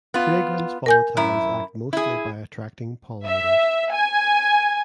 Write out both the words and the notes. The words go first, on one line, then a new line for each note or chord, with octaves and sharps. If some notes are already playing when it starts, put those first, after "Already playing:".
Fragrance volatiles act mostly by attracting pollinators.
B3 F4
A#4 G#5 G6
F#2 E4
E4 G#4
E5
G#5